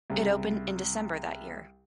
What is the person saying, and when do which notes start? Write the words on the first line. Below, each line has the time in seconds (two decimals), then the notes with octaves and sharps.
It opened in December that year.
0.10 C2 C#3